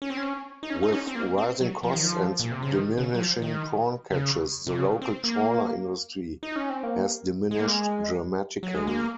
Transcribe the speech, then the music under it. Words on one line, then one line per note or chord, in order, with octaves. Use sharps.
With rising costs and diminishing prawn catches, the local trawler industry has diminished dramatically.
C#4
C4
C#4
D#4
C#4
D#4
C#4
C4
A#3
C4
F#3
F3
D#3
F3
A#2
C3
C#3
D#3
C#3
F#3
F3
D#3
C#3
C3
C#3
C4
A#3
D#4
C#4
C4
A#3
G#3
A#3
G#3
F#3
G#3
A#3